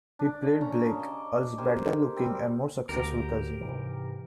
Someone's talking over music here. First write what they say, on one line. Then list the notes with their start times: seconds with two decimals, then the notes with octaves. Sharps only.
He played Blake, Earl's better-looking and more successful cousin.
0.19 D4
0.61 C#4 A#5
0.86 C#3
1.00 D5 D#5
1.58 G4 A#4 C5 G#5
2.16 G3 C4
2.89 D2 G4 A#4
3.61 G#2 C3 E3